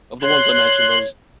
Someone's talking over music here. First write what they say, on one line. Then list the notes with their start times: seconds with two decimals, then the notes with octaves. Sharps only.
of the ones I mentioned, those
0.22 C#5 C6 F#6